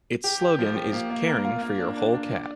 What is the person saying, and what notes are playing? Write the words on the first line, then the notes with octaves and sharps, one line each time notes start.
Its slogan is "Caring For Your Whole Cat".
G4
G4
F3
G4
A#3
A#3
A#4
F4
A#3
D4
D4
D4
D5